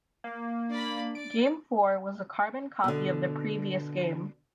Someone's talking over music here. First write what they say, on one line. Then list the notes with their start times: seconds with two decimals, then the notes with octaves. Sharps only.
Game four was a carbon copy of the previous game.
0.24 A#3
0.70 D4 D5 B5
1.15 D5 D7
2.84 B2 D3